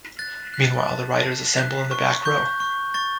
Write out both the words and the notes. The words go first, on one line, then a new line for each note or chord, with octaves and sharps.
Meanwhile the riders assemble in the Back Row.
F#6 A6
F#6
A5
A5
F#6
C#6
C#6 G6
C#6
C#6 A6